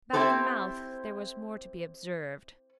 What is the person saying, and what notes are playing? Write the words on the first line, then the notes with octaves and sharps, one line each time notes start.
About the mouth there was more to be observed.
C4 E4 G4 A4 C5